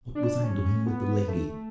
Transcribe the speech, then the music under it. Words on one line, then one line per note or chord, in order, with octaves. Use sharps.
What was I doing with the lady?
D4
C#4
B3
A3